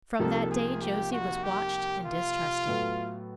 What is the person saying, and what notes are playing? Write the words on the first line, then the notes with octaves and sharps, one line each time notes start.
From that day Josie was watched and distrusted.
C2 C3 F3 A#3 D#4 A4
G#4
G4
F#4
G4
F4
A2 F#3 B3 E4 A4